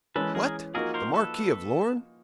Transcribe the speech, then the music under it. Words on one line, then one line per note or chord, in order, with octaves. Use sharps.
'What! the Marquis of Lorne?
E3 G#3 C#4 A4 B4
G#4 A#4
F3 A#3 D#4 F#4 G#4 A#4
A#4 C5
A4 B4